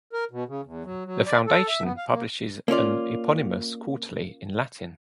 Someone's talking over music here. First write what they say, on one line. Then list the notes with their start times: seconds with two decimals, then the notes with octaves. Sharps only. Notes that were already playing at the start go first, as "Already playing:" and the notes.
The foundation publishes an eponymous quarterly in Latin.
0.13 A#4
0.31 B2
0.48 C#3
0.65 E2
0.84 F#3
1.05 F#3
1.26 D5
1.47 A4
1.68 E5
1.83 B3
1.97 F5
2.10 A#3
2.68 A#3 C#4 F4 D5